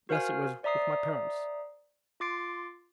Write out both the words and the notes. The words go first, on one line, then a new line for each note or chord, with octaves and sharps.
Thus it was with my parents.
F#4 A#4 C5 F5 G#5 F6
C5 D5 E5 A#5 D#6 C7
F4 C6 D6 A6 C7 D7